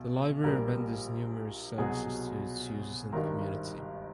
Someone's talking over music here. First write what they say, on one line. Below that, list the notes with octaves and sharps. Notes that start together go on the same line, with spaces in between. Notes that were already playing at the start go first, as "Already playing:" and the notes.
The library renders numerous services to its users and community.
Already playing: B1 B2
A#1 A#2 G3 A#4
C2 B2 F#3 G#4
G#1 G2 D#3 G3 A#4